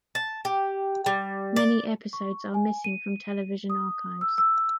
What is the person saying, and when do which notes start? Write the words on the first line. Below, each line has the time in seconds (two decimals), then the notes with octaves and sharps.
Many episodes are missing from television archives.
0.15 A5
0.45 G4
1.06 G3
1.56 D5
2.13 C#6
2.54 G#5
2.84 D#7
3.70 D#6
4.21 E6
4.38 E6